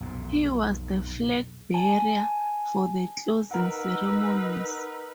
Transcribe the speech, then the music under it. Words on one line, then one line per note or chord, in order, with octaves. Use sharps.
He was the flag bearer for the closing ceremonies.
B1 F2 A#2
G#5 A5
D#4 A#4 B4 F#5 E6